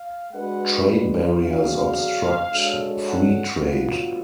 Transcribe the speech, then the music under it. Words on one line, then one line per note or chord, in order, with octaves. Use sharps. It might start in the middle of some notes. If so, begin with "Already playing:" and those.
Trade barriers obstruct free trade.
Already playing: F5
G#3 D4 F#4 B4 F#5
D3 F#3 B3 D4 G#4 F5
G#3 D4 F#4 A4 C#5
F#5
D3 F#3 B3 F4 F#5